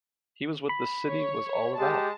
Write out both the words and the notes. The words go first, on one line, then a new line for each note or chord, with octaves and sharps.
He was what the city was all about.
B5
C#5
G#3 G4 A5